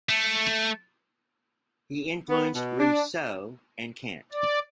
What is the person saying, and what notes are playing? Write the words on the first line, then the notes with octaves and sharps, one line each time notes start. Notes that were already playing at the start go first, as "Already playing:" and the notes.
He influenced Rousseau and Kant.
A3
B3
B2
D4
D5